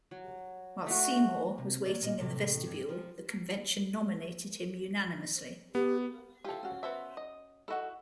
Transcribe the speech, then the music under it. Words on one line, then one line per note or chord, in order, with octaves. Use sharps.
While Seymour was waiting in the vestibule, the convention nominated him unanimously.
F#3
A3 F#4
C3
D#2 F#3 D5
F#2 A#2 D#5
E2 A2 C3
G2
F3
B3 G4
E4 F4 G4 A4
C#4 F#4
B3 C5 E5
D#5
E4 F#4 A4 D#5 F#5